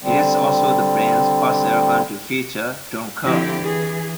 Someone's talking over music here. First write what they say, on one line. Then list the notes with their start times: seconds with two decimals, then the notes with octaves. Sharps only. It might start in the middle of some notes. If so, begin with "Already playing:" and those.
It is also the band's first album to feature Don Kerr.
0.03 D3 G3 C4
3.24 D3 F3 C4 E4 G4
3.59 E3 G#4